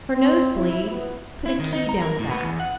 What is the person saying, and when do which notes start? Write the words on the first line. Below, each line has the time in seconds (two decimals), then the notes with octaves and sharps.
For nose-bleed, put a key down the back.
0.12 C4
0.56 E4
0.90 B3
1.46 E4
1.60 D#3
1.73 D#4
1.89 A#5
2.02 A#4
2.19 A2
2.30 B3
2.44 E2
2.60 F#5